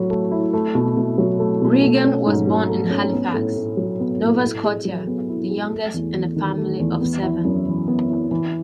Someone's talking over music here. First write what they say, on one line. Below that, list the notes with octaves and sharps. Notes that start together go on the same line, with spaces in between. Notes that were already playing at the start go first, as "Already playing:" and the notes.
Regan was born in Halifax, Nova Scotia, the youngest in a family of seven.
Already playing: A2 F#3 A3 E4
A3
E4
A3
B2
B2
F#3
A3
B2
A3
C#4
G#2
F#3
A3
C#4
B3
A2
A2
F#3
B3
A2
E4
G#4
F#3
B3
E4
G#4
A3
E2
E2
D#3
A3
E2
B3
E4
F#2
E3
B3
E4
E3